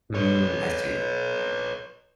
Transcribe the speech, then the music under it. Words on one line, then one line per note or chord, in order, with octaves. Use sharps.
Mm, I see.
B4 C#5